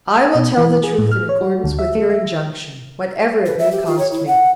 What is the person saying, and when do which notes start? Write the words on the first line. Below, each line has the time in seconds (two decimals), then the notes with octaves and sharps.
I will tell the truth in accordance with your injunction, whatever it may cost me.
0.20 G#5
0.35 B2
0.57 E3
0.84 G#4
0.98 A2
1.11 F6
1.29 C#5
1.41 F#4
1.64 D2
1.79 E5
1.95 A3
2.10 E5
3.46 B4
3.59 E5
3.72 G4
3.86 F4
3.99 C#5
4.11 E4
4.27 F#5